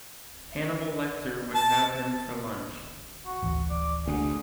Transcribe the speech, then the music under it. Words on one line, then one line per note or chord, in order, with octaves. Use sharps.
Hannibal Lecter would have him for lunch.
A5
F#4
D1 A1
D5
D2 G#4